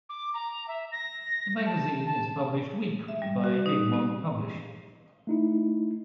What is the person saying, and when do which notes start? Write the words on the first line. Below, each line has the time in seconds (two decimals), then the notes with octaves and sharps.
The magazine is published weekly by Egmont Publishing.
0.09 D6
0.34 A#5
0.68 E5
0.92 A#6
1.66 A5
2.07 A5
3.08 E5
3.22 G3
3.44 F#4
3.66 D#4
3.94 C4
5.27 A3 D#4 E4